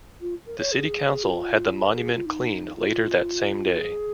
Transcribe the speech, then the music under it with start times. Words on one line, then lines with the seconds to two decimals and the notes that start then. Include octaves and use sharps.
The City Council had the monument cleaned later that same day.
0.21 F4
0.46 A#4
0.59 C#5
0.72 G#4
1.23 F4
1.83 A#4
1.97 G#4
2.11 F4
2.25 D#4
2.76 F4
3.78 G#4